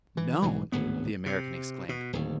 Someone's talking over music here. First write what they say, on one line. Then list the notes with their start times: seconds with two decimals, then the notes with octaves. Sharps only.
"Known!" the American exclaimed.
0.17 E3
0.42 B1 G#2 E3
0.72 D1 G#1 D2 B3
1.26 C3
1.89 B2
2.13 D1 D#2